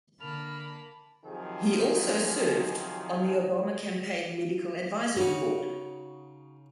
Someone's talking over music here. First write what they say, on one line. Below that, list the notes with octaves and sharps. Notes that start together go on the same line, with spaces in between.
He also served on the Obama campaign Medical Advisory Board.
D3 A#3 A5 B5 F6
C3 D#3 F3 F#3 G#4
C#3 D#4 F#4